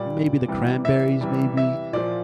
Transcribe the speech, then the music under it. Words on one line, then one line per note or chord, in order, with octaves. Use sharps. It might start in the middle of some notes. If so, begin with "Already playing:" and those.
maybe The Cranberries, maybe?
Already playing: A#2 G3 D5
C3 E3 G3
E5
C3 E3 G3
E5
A#2 F3 D5